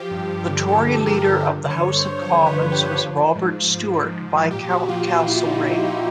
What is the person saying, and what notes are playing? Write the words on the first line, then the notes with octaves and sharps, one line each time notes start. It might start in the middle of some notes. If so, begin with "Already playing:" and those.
The Tory Leader of the House of Commons was Robert Stewart, Viscount Castlereagh.
Already playing: F3 G4
G2
F3
D3
F3 A4
G2
D3 A#4
G2
G2
D3
C#5
D3
C5
G2
F3 C5
F3
B4
G2
G4
F3
F3
F3
G#2
G#2
F3
F3
G#2
G#2
A#2 G4
A#2 F#4
F3 F4
A#2 F4
A#2 E4
A#2 D#4
F3 E4
F3 D#4